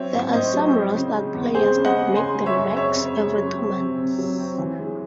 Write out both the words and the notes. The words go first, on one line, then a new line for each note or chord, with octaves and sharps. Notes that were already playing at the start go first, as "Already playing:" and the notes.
There are some rostered players that make the max every two months.
Already playing: F#3 C4 C#5 E5
A2
A2 C5 D#5
F#3
C4
C#3
G#3
E2
C4 G#4 C5
C#3
D#5 F#5
G#3
C#3 G#5 C6
G#3
C#5 E5
F#2
C4 C#5 E5
C#3
G#3
F#3
C4
C3
C3
F#3
C4
E3
G#3